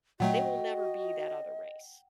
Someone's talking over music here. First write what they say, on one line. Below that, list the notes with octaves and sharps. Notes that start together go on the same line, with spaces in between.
they will never be that other race.
A#2 F#3 A3 F#4 D#5 F#5 G5